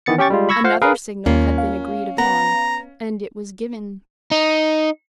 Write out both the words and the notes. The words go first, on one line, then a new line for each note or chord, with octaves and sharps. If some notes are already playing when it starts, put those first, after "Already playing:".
Another signal had been agreed upon; and it was given.
D#3 E3 B3 A6 C#7
C#4 G4 G5 C#6 A6
G3 G#3 F4
B5 C#6 E6 G#6 A#6
F4 C5 F5 F#5
G#4 A#4 B4 F5
D#2 A#3 C#4 F4
F5
B3 A#5
D#4